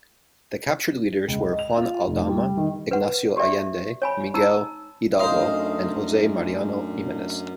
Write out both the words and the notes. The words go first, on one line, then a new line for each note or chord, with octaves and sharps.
The captured leaders were Juan Aldama, Ignacio Allende, Miguel Hidalgo, and Jose Mariano Jimenez.
C#2
D#5
F7
F4
F1
G3
D#3
B4 F#5
F#4 G4 A4 D5 E5
C#5 G#5 B5
D#4 A5 A#5 E6
F#2 A3 D4 D#4 C5 D#5 F5 C6